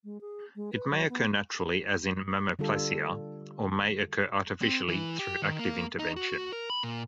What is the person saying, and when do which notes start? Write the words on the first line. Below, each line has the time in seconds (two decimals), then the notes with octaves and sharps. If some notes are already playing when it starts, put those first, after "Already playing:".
It may occur naturally as in mammoplasia or may occur artificially through active intervention.
0.04 G#3
0.21 G#4
0.56 G#3
0.73 B4
0.90 F#3
1.09 B3
2.59 D3 G3 F4 A4
4.62 C4
4.88 E3
5.19 G4
5.42 D#3
5.59 A#3
5.99 D#4
6.16 F#4
6.53 A#4
6.70 B5
6.83 A#2